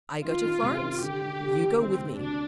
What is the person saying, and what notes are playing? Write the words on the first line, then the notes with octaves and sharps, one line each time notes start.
I go to Florence; you go with me.'
D#3 F4
D#3
C3
D#3
D3 G4
D3
D3
D3
D#3 C4
C3
D2 D4